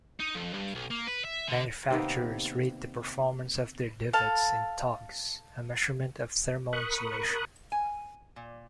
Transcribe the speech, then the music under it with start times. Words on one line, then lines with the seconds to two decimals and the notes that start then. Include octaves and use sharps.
Manufacturers rate the performance of their duvets in togs, a measurement of thermal insulation.
0.20 D#4
0.35 F2
0.53 G2
0.75 B1
0.91 A#3
1.07 B4
1.25 E5
1.48 D3
1.90 C3 D#3 A#3 B3
4.13 A4 F5 A5
6.73 A#4 B5 C#6 D#6 F#6
7.72 G#5
8.36 A#2